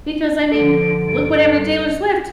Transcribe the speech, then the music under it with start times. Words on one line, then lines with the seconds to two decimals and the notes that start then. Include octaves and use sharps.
because I mean, look what happened to Taylor Swift.
0.52 D3 F3 A4 D7
1.07 G2